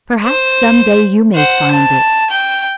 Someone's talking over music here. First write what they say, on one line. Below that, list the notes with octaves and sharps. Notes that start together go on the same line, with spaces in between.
Perhaps some day you may find it.
C5
C5 F#5
A5
G5